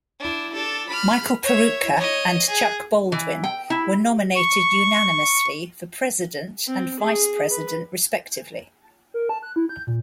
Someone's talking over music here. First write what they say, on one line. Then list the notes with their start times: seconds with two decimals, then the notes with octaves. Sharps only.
Michael Peroutka and Chuck Baldwin were nominated unanimously for President and Vice President, respectively.
0.19 D4 E4
0.52 D4 A4
0.89 B5 F6
1.43 C#5 E5
1.96 C#5 D#5
2.48 G#4
3.12 E3
3.44 G5
3.70 E4
4.36 C#6
6.68 C4
6.99 G#4
7.50 B4
9.14 A#4
9.29 A5
9.43 F#6
9.56 E4
9.69 G6
9.87 A#2